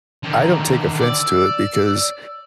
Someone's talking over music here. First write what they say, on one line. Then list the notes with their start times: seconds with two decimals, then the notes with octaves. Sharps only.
I don't take offense to it because,
0.23 D3 D#3
1.00 D5 E6